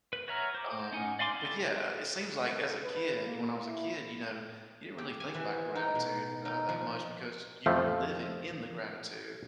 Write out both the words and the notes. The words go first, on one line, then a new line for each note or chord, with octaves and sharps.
Um, but, yeah, it seems like as a kid you know, when I was a kid, you know, you didn't really think about gratitude, uh, that much because you were living in the gratitude.
B4
F#4 C#5 E5 A#5 F6
C5 D6
C#4 D#4 F#5 G#5
D5 F5 G#5 C6 D6
C4 E4 D5
A4
B4
A#3
E4
G4
G#5
E3
D#4
B2
D#4
F3
F2 F3 A3